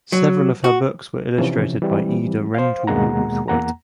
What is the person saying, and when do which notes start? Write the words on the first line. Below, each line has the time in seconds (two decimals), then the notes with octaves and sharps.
Several of her books were illustrated by Ida Rentoul Outhwaite.
0.12 F#3
0.64 F#4
1.38 C3 E3 F3 C#4
1.82 E3 G3 C4
2.54 C5 F5
2.87 D#2 B2 G#3 A#3 F#5 A#5
3.48 E2 A#3 F#5 A#5